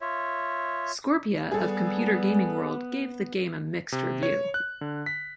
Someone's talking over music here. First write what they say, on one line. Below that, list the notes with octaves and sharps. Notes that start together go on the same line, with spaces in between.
Scorpia of "Computer Gaming World" gave the game a mixed review.
F4 C#5 E5
G3 B3 G#4 A4
C3
C#5
F#6
D3
B6